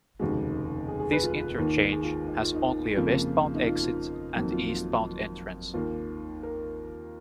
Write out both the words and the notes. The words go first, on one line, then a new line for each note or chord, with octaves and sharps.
This interchange has only a westbound exit and eastbound entrance.
F1 D#2 C#3 G#3 F#4
G#4
G#4
B4
F4
D#2 D#3 A#3
G#4
F4
D#4
F4
D#4
F2 C#3 F3 A#3 F4
D#4
F4
F4
F2 D#3 F#3 A#3 D#4
F4
F4
D#2 D#3 A#3 F4
A#4